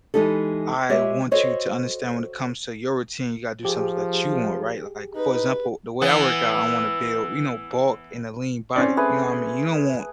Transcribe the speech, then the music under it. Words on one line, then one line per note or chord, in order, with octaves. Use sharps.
I want you to understand when it comes to your routine, you gotta do something that you want." Right? Like, for example, the way I work out, I wanna build you know, bulk and a lean body, you know what mean? You don't want
E3 G#3 D#4 G4 A4
G#3 G4 C#5 E5
F#4 A4 C5 C#5 D#5
F3 G4 G#4
D#4 B4
E3 B3
C4 C#4 D5
A3 G#4 B4